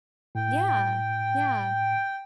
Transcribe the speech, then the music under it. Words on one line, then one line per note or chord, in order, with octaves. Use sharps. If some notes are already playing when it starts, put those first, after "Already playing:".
Yeah, yeah.
A2 G5